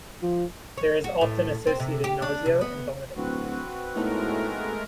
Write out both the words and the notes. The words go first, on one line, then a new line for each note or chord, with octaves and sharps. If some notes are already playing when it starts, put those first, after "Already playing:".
There is often associated nausea and vomiting.
F3
C#5
F#4
A2
C4
C3
G4
D4
C3
B3
D1 C4 F#4 B4
A2 G#3 A3 B3 D#4 A4 A#4